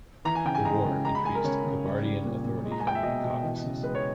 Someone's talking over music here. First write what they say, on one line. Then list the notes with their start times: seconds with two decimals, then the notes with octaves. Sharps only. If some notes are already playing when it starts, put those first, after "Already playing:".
The war increased Kabardian authority in the Caucasus.
0.25 E3 A#5
0.35 G#5
0.45 C#3 G5
0.55 G#5
0.65 G#3 A#5
0.84 C#3
1.05 G#3 A#5
1.15 B5
1.24 G#3 G#5
1.35 A#4
1.44 C#3 C#5
1.64 C#3
1.84 G3
2.05 G3
2.25 A#2
2.45 A#2
2.64 G#3
2.71 A#5
2.80 G#5
2.83 G#3 G5
2.95 E5
3.03 B2 D#5
3.24 B2
3.43 E3
3.63 C#3
3.82 G#3 B4
3.95 C#5